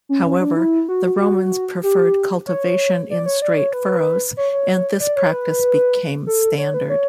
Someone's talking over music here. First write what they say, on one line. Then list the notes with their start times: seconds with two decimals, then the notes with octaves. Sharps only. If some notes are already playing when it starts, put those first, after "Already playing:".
However, the Romans preferred cultivation in straight furrows and this practice became standard.
0.09 C#4
0.26 C#4
0.41 D4
0.56 E4
0.89 F#4
1.20 F#4
1.83 G4
2.47 C#5
3.11 D5
3.26 C#5
3.42 D5
3.57 C#5
3.73 B4
4.37 C#5
4.52 C#5
5.00 D5
5.16 C#5
5.32 B4
6.27 A4
6.58 C#5
6.74 B4
6.90 C#5